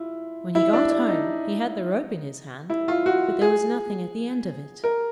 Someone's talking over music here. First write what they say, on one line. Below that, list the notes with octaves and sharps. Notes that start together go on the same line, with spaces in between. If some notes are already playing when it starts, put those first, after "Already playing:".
When he got home he had the rope in his hand, but there was nothing at the end of it.
Already playing: E4 F4
E4
D4
D4
D#4
E4
F4
F#4
G#4
A#4